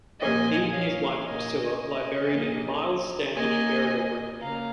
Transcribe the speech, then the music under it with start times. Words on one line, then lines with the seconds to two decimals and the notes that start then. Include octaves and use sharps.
Both he and his wife Priscilla lie buried in the Myles Standish Burial Ground.
0.20 A#2 F3 A#3 D#5 G#5
0.73 C#5 F5
1.25 A#2 A#3 D#5 G#5
1.78 D#5 G#5
2.30 A#2 F3 A#3
3.35 D#3 A#3 D#5 G#5
4.40 C#3 A#3 F5 A#5